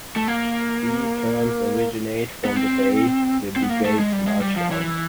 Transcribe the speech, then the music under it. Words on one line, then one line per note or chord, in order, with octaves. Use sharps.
These terms originate from the day the brigades marched on.
A3
A#3
B3
C4
C4
B3
A#3
A3
G#3
G3
G#3
G3
F3
E3